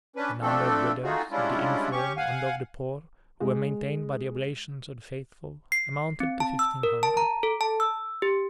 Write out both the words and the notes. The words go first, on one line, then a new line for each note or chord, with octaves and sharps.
The number of widows, of the infirm, and of the poor, who were maintained by the oblations of the faithful, amounted to fifteen hundred.
C#4 D4 B4
F3 A3 C4 D4 A4
A3 D#4 F4 F#4 G#4
G3 G#3 C#4 D4 E4 F4
C#4 G4 C#6
F5 F#5 G#5
G#3
C7
C4
A5
E6
A#4
A5
A#5
A4
A5
E6
G4